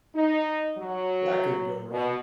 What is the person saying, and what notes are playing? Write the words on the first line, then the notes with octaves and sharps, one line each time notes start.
That couldn't go wrong.
D#4
F#3
B2